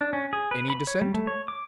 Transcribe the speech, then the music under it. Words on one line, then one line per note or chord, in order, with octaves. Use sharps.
Any dissent?
D4
C#4
G#4
B4
B5
C#5
G3
A3
C#5
D6